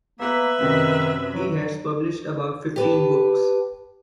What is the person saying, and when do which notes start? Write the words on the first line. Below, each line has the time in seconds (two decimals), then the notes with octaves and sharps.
He has published about fifteen books.
0.20 A#3 B3 B4 E5
0.60 F#2 C3 D#3 D#5
1.34 F#3
2.76 G4 B4 A5